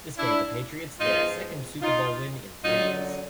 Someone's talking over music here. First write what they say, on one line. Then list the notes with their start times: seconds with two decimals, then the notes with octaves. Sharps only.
This gave the Patriots their second Super Bowl win in three years.
0.17 D4 E4
0.99 G#2 F3 G#3 B3 D#4 F4
1.82 D#4 F4
2.63 F#2 D3 F#3 D#4 F4